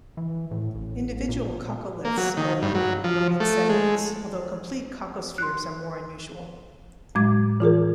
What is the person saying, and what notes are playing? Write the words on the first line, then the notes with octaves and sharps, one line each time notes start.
Individual coccoliths are abundant in marine sediments although complete coccospheres are more unusual.
E3
A2
A1
A#2
A#2
A#3
F#3
D#3
G2
F#3
F3
A3
G#3
C6 F#6
A2 F#3 G#3 D6 G#6
E3 F4 G#4 A#4